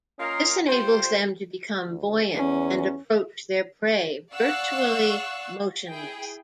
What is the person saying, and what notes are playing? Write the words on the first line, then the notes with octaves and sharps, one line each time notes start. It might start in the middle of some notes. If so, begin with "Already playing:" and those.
This enables them to become buoyant and approach their prey virtually motionless.
A#3 C#4 F4 A#4 D#5
G3 F4 C5
D2
E2 C#4
D5 F5 F#5 C#6 E6 F#6
E4 G#4 G5